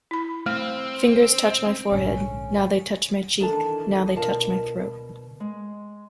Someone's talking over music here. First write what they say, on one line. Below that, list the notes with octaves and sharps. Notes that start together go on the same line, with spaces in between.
Fingers touch my forehead — now they touch my cheek — now they touch my throat!
E4 B5
A3 C4
A#1 G#2 D3 C#4
D#3 E3 D4 A4 G#5 A5
B2 F4 A#4 D5 A5
G#3